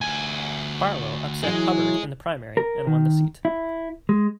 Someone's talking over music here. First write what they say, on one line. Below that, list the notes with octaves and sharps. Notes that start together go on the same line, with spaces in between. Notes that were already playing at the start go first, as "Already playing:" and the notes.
Barlow upset Hubbard in the primary and won the seat.
D2 G#5
E3 F#3 G#3
A#4
D#3
E4
G#3